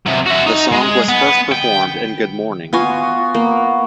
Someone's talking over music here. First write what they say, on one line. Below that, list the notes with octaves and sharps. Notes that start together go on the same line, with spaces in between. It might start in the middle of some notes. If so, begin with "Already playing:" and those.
The song was first performed in Good Morning!
C3 F#3
F#4 E5
D#4
G#3
B3
G5
B3 F4 F#4 G#5
A#3